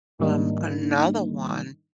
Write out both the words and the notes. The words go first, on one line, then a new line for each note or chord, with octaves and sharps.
um, another one
G#2 D#3 G3 A#3 D4 D#4